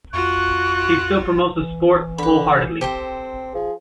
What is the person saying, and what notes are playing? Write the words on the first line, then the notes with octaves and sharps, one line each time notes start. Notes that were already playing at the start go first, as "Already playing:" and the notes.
He still promotes the sport wholeheartedly.
F2 F4 F#4 C#6 F#6
E3
D3 B4 B5
C4 G4 A4 C5
F3 G#4